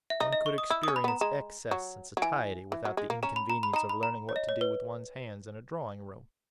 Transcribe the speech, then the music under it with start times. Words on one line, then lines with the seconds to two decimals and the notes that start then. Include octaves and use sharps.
One could experience excess and satiety without the inconvenience of learning what to do with one's hands in a drawing-room!
0.10 E5
0.20 D#4 D#5
0.33 D#5
0.46 C#6
0.58 D#6
0.70 E4 E6
0.83 C#4 D#6
0.96 B5
1.04 B3 A#5
1.21 G#3 A#5
1.71 F#3
2.17 F#3
2.22 E3 G#5
2.72 E3
2.85 F#3
2.97 G#3
3.10 A#3
3.23 C#4 A#5
3.36 B5
3.50 A#5
3.63 B5
3.73 D#4 A#5
3.89 B5
4.03 A#5
4.29 C#5
4.36 D#5
4.49 C#5
4.61 B4